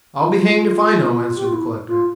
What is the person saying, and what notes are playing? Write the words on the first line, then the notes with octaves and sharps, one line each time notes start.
"I'll be hanged if I know," answered the collector.
F4
F4
G4
F4
E4
F4